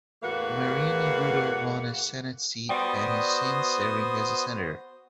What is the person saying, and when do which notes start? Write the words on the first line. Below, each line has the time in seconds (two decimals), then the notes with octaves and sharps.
Marini Bodho won a senate seat and is since serving as a senator.
0.22 E2 A2 A#3 F#4 B4 F5
2.69 B3 F#4 C5 D5 G5 D#6